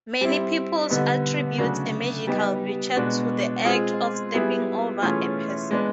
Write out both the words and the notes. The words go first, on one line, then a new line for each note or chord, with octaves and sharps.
Many peoples attribute a magical virtue to the act of stepping over a person.
G3 C4 E4
D3 G3 B3 D#4
C#3 F#3 A3 D4 F#4
G3 B3 D#4 G4
B2 G#3 B3 D4 F#4
G#3 C4 F4 G#4
G3 B3 E4 G#4
E3 A3 C#4 F4 G#4
G#3 B3 D4